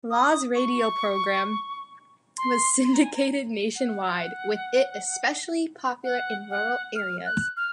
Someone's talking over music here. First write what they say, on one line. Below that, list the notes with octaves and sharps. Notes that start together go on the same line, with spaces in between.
Laws' radio program was syndicated nationwide, with it especially popular in rural areas.
D#6
C#6
C6
C6
A#5
G#5
A#5
F#5
F#5
F#5
F6
F#6
F6